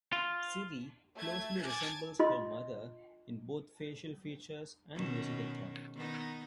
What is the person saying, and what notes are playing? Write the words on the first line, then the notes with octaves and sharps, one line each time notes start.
Siri closely resembles her mother in both facial features and musical talent.
F4
A3 A5 G#6
G#5 A5 D6 G#6 A6
F4 D#5 C6
B2 D#3 C#4
D#3 B3 D#4